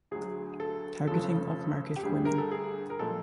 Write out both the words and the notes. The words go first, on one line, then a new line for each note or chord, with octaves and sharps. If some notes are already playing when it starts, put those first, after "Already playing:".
Targeting upmarket women.
D2 D3 F#3 G#4
A4
F1 F2 C#3 F3 A4
G4
D2 D3 G3 G#4
A#4
A4
G#4
A#4
A#2 F3 G#3 A4